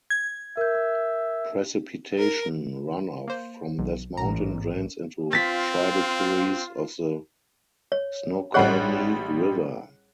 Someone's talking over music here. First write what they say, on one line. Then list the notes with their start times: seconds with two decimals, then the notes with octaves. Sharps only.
Precipitation runoff from this mountain drains into tributaries of the Snoqualmie River.
0.10 G#6
0.57 A#4 E5 G6
2.18 A#4
3.28 A#3 C5
3.79 B1
4.17 A1 G#2 A#5
5.33 C4 F4 A6 B6
7.92 C#5
8.54 A1 G3 G#4 C#5 F#5 F#6